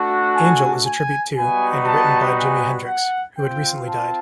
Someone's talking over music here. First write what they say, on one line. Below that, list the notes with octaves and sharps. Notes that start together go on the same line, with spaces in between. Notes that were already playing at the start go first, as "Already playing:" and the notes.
"Angel" is a tribute to, and written by Jimi Hendrix, who had recently died.
Already playing: A3 D4 F#4
G#5
G#5
G3 B3 D#4 F#4 G#5
A5
G#5
F#5
C4 F4 G5
A5